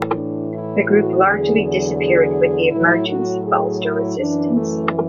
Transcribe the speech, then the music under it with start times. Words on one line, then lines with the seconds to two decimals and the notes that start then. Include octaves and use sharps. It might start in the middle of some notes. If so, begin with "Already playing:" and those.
The group largely disappeared with the emergence of Ulster Resistance.
Already playing: A2 E3
0.15 D4
0.52 E4
0.89 F#4
1.25 E2 D3 F#3 G#4
1.63 G#4
1.99 G#4
2.71 A2 F#3 E4
3.08 F#4
3.46 G#4
3.82 E4
4.18 F#2 E3 D4
4.55 A3